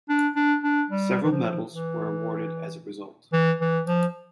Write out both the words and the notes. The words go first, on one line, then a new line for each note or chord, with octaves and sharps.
Several medals were awarded as a result.
D4
D4
D4
G3
E3
F3
E3
E3
E3
F3